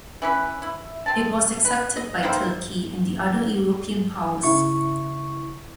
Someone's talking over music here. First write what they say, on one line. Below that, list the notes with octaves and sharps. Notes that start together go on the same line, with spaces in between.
It was accepted by Turkey and the other European powers.
E3 C#4 B4
E4
C4 A5
B4
D#5
D#3 A#3 E4 C5
C#3 E4 C#6